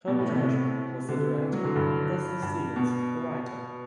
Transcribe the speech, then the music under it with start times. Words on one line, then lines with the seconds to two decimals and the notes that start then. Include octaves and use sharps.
Herbert Hirschman was the director and Leslie Stevens the writer.
0.07 B2
0.19 A2
0.29 C3
0.40 C3
1.09 D3
1.42 E3
1.53 F#3
1.65 D3
1.76 G2
2.42 G2
2.76 B2